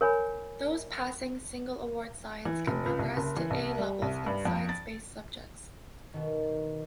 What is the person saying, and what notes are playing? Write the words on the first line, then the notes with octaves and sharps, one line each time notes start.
Those passing single award science can progress to A Levels in science-based subjects.
A#4 C#5 G#5 B5
E3
F1
C#2
C2
F#1
E3
C2
G3
C2
G2
F2
A6
B2 D#3